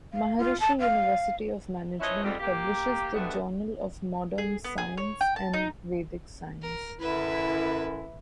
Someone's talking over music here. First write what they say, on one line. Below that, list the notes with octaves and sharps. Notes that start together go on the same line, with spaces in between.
Maharishi University of Management publishes the "Journal of Modern Science and Vedic Science".
F5
F4
A5
F5
F3 C#4 E4 B4 C#5 D#5
F2 G#2 G3
A#3 G4
D2 G#2 G3 A3 B3
G#4
B3
G#4
C#5
G5
A5
D#4
A#4
F#2 D3 E4 B4 E5